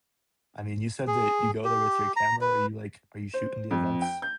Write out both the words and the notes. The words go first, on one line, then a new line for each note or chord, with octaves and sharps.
I mean, you said that you go there with your camera. Are you like, are you shooting the events?
G#4
G4
A#5
B4
C5
F2
G5
G6